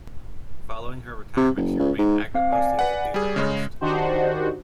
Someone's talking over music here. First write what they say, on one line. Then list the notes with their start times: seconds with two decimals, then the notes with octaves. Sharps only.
Following her retirement, she remained active mostly as a theater artist.
1.37 C3
1.57 F#1
1.80 C#2
1.99 G#2
2.34 C4 F5
2.53 D5 G#5
2.79 B4 F#5
3.14 G3 G#4
3.36 C#3 G#3 C#4
3.81 D#3 D4 D#4 F#4 G4 C5